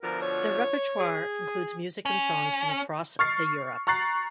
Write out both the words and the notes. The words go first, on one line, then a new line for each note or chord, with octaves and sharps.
Their repertoire includes music and songs from across the Europe.
B2 D3 F3 A#4
C#5
G#4
C#4
C#6 F6 A6 C7
A#5 C#6 F#6 A6 C7